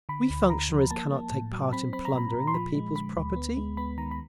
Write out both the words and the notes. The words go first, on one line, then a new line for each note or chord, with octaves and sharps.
We functionaries cannot take part in plundering the people's property.
D3 B5
D2
D3 A#5
F3
A#3 A5
A#3
A2
F#3
C4 B5
C4 B5
A#5
A#2 B5
A#2
C6
F3 B5
G#3
D3 B5
D2
B3
G#3
B3 B5
D#3 A#5
B5